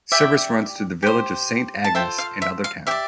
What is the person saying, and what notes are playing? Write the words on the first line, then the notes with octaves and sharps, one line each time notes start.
Service runs through the village of Saint Agnes and other towns.
G4 D5 E5 G5
G4 C5
A5
F4 A4 C5 E5 G5
F5
E5
F5
G4 D5 E5 G5